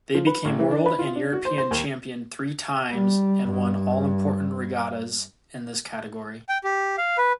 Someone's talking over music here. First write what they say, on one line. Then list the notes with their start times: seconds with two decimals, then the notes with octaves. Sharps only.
They became world and European champion three times and won all important regattas in this category.
0.14 F3
0.27 B4
0.45 A1
0.59 E3
0.71 D4
0.86 B4
0.99 F4
1.16 D4
1.33 F#4
1.45 C5
1.58 C5
1.71 D#2
2.91 G3
3.49 G2
6.49 G5
6.64 G4
6.98 F5
7.18 B4